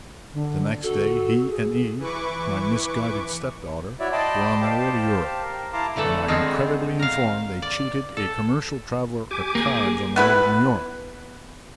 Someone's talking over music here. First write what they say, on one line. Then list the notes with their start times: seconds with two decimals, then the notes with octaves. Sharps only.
The next day he and Eve, my misguided stepdaughter, were on their way to Europe; and I am credibly informed they cheated a commercial traveler at cards on the way to New York.
0.33 D3
0.83 F#4 A4
1.49 G#4
1.99 E3 B4 C#6 D6
4.00 E4 F#4 C#5 D5 E5
4.12 D5 D#5 G5 A5 B5 C6
4.61 G4 C5 F5 G5 A5
5.42 A#4
5.73 E4 F5 A5 A#5 C6 D6
5.96 D3 E3 A3 A4 F#5
6.28 D3 D#3 G#3 B3 C4
6.99 A#4 F5
7.62 D5
8.17 A4
9.31 G4 G#5 D6
9.55 A#3 G#4
10.16 B3 E4 B4